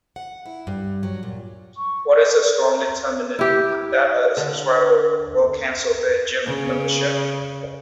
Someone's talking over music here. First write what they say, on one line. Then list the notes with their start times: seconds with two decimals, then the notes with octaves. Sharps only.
What is a strong determinant that a subscriber will cancel their Gym membership?
0.16 F#5
0.46 E4
0.67 G2
1.03 F#3
1.23 A#2
1.77 C#6
3.39 E4 G4
4.37 D3
6.46 C#3